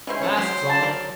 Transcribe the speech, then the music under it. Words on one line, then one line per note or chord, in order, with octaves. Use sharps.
Masks on!
G#3 C#4 E4 C5
C4 A4 C#5
F#3 G4 C5
A5
A#4 D5